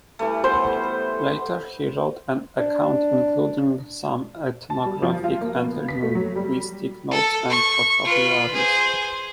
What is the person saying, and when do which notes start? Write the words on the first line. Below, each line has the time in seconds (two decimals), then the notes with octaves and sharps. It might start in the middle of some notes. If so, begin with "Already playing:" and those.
Later he wrote an account including some ethnographic and linguistic notes and vocabularies.
0.19 E3 G3 A3
0.44 B3 C5
2.59 D4
4.70 A5
4.85 G3
5.03 F3
5.24 F4
5.41 A#3
5.55 B3
5.89 B6
6.03 A3
6.15 F#3
6.36 G3
7.11 A4
7.50 C#6
8.04 F4 B4
8.54 G#4 C5